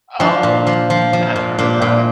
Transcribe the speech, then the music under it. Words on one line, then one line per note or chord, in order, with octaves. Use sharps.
Oh, I think I've heard of that.
F3 D4
A#2
F3
F3
F3
A#2
A#2 D4
A#2